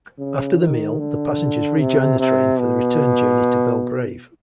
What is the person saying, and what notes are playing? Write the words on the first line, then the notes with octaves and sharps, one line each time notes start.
After the meal, the passengers rejoin the train for the return journey to Belgrave.
C#3
D#3
D3
C3
C3
B2